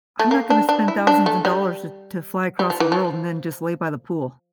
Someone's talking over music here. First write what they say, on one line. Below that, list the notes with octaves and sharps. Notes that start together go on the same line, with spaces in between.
I'm not gonna spend thousands of dollars to to fly across the world and then just lay by the pool.
A3
A#3
D4
D4
E4
D4
A3
G3
G3
F3
E3
F3